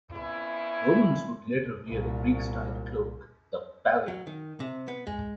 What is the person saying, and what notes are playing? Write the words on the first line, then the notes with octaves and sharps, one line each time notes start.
Romans would later wear the Greek-styled cloak, the "pallium".
F2 B3 C#4 E4
C2 A#2
F#3
D#3
C3
B3
G#3